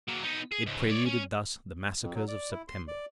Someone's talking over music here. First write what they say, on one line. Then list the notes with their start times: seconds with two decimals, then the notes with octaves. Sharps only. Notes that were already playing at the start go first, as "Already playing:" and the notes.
It preluded thus the massacres of September.
0.09 F#3 A#3
0.24 B3 D#4
0.52 G#4
0.66 C#2 G#2
0.89 C#5 D5
1.06 C#4
2.02 F2
2.15 F#3
2.28 D5
2.51 E4
2.68 C6
2.88 D5